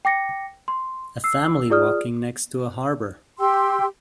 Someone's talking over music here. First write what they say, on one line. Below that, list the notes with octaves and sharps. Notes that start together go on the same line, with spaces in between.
A family walking next to a harbor.
G5 D6 A#6 C#7
C6
E6 C7
F4 G#4 D5 D#6 F6
G4 G5 C6 E6